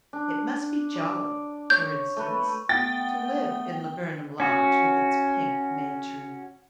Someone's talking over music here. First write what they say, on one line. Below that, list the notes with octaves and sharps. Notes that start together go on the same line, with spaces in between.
It must be jolly, for instance, to live in Laburnum Lodge with its pink may tree.
D4
D5
C#5 G6
A3 B4
A3 B3 G5 A6
C#4 F#4